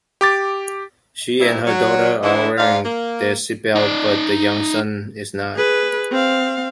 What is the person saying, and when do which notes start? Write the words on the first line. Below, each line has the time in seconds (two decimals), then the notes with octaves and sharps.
She and her daughter are wearing their seatbelts, but the young son is not.
0.21 G4 D6 A6
1.39 C3 D#3 G3 C4 E4
1.66 F#3
2.23 D3 E3 G#3 D4 E4
2.58 G#2 D4 F5
2.84 A#3
3.76 D#4 D5
5.55 G#4 B4
6.11 C4 F5